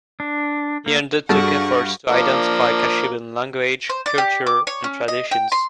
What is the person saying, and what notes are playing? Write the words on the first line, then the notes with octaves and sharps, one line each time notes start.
He undertook efforts to identify Kashubian language, culture and traditions.
D4
A#3
G2 D4 F#4 G#4 A4 F#5 A5 C#6
F3 A#3 D4
C5
D5
G4
D6
C#5
C#4
D#5
G5
C6